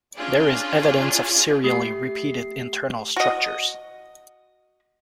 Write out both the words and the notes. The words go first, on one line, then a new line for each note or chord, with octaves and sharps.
There is evidence of serially repeated internal structures.
C#4 D4 F4 G#4 D5
A3 G4 C7
F#4 D#5